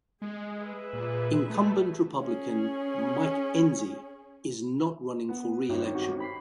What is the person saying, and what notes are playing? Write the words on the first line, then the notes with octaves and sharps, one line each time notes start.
Incumbent Republican Mike Enzi is not running for reelection.
G#3 G#4
G#4 B4 E5
A#2
A3
C#4 G#4
B3
G#1 G2 D#3 C#4
C4 F#4 G4
B5 B6 C7